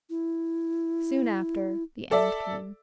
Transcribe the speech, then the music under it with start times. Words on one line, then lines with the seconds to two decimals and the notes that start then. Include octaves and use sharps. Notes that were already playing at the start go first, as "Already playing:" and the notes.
Soon after, the end came.
0.10 E4
2.11 A4 D5 E5